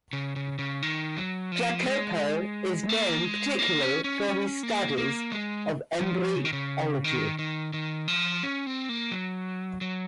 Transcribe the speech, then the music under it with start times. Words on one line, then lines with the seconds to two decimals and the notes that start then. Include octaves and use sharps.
Jacopo is known particularly for his studies of embryology.
0.13 C#3
0.36 C#3
0.59 C#3
0.83 D#3
1.17 F#3
1.52 F3
1.86 G#3
2.89 A#3
3.25 G#3
3.59 A#3
3.82 C#4
4.04 C#4
4.29 C#4
4.63 A#3
4.98 A#3
5.32 G#3
6.01 F3
6.36 C#3
6.45 D#3
6.53 C#3
7.04 D#3
7.39 D#3
7.73 D#3
8.08 F3
8.43 C#4
8.67 C4
8.89 A#3
9.12 F#3
9.81 F#3